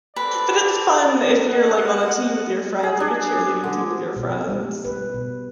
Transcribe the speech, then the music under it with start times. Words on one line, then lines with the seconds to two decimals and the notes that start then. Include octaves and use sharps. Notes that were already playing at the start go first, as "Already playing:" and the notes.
But it's fun if you're, like, on a team with your friends, like, a cheerleading team with your friends.
0.16 C4 A4 B4 D5
1.48 D#5 F#5
2.83 G#4
3.00 D4
3.64 D3
4.16 B2
4.48 G3
4.85 B4
5.14 B2